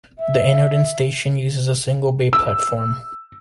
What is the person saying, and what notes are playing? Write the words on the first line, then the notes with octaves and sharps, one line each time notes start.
The Enoden station uses a single bay platform.
E5
E6